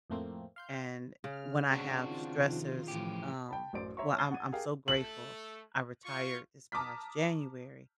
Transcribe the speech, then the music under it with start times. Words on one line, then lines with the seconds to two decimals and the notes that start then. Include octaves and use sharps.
and when I have stressors, um well, I'm I'm so grateful, I retired this past January,
0.10 F2 A2 A3 A#3 C4
0.56 F5 C6 G6
1.24 C#3 F6
1.72 C4 D4 F#4
2.03 D#3 F4
2.35 F2 C3
2.88 A2 E3 F3 G4
3.49 G5 A5 B5
3.73 A1 F#2 C5 D5 D7
3.97 C#5 E5 A#5 C6 C#6
4.18 A5 G#6 A6 C7 G7
4.31 F#5 D#7
4.52 G4 G#4 A#4 F5 G5
4.88 A3 A4 F#7
6.04 F4 C#6
6.72 A5 A#5 D6 D#6 F6 B6